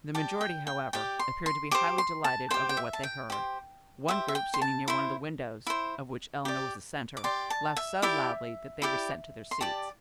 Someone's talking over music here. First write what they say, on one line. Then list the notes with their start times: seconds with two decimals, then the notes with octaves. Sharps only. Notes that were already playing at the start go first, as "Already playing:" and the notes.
The majority, however, appeared to be highly delighted over what they heard, one group standing near one of the windows, of which Eleanor was the center, laughed so loudly that they were sent to their seats.
0.14 G4 D5 A5
0.41 G5
0.67 G5
0.93 G4 D5 G5
1.19 C6
1.46 C6
1.71 G4 C5 D6
1.98 C6
2.24 A5
2.51 G4 C5 G5
2.69 G5
2.77 E5
2.93 A5
3.03 G5
3.30 G4 C5
4.08 G4 C5 E5
4.28 E5
4.35 G5
4.54 C6
4.62 A5
4.88 E4 C5
5.67 E4 C5
6.45 G4 D5
7.17 D6
7.24 G4 D5 C6
7.50 A5
7.77 E5
8.02 E4 G4 D5 E5
8.82 E4 G4 D5
9.51 C6
9.61 G4 D5 A5